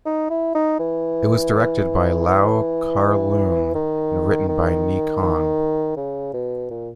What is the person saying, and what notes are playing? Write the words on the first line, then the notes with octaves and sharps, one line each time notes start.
It was directed by Lau Kar-Leung and written by Ni Kuang.
D#4
E4
D#4
E3
E3
D#3
D#3
D#3
C#3
B2
A#2